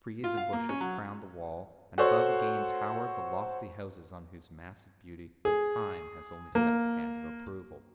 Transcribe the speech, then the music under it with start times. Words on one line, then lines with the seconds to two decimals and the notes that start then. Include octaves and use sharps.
Trees and bushes crowned the wall, and above again towered the lofty houses on whose massive beauty Time has only set the hand of approval.
0.24 F4
0.37 F5
0.53 A#3
0.69 C#4
0.81 F#3
1.98 F#4 A4 C5 C#5
5.45 G#4
6.55 A#3